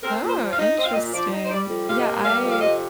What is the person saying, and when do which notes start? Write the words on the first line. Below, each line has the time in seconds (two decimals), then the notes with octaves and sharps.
Oh, interesting. Yeah. I
0.03 C4 A#4
0.21 A#2
0.28 C5
0.40 F3
0.53 F5
0.58 D#4
0.77 C4 D#5
0.84 F5
0.92 A#2 D#5
1.13 F3 D5
1.32 D#4
1.45 C5
1.50 G3 D5
1.69 F2
1.88 C3 F5
2.00 D#5
2.06 A#3
2.24 G3 F5
2.43 F2
2.51 F5
2.61 C3 D#5